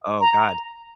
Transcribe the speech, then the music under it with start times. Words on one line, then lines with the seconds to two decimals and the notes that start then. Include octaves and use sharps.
Oh, god.
0.21 A#5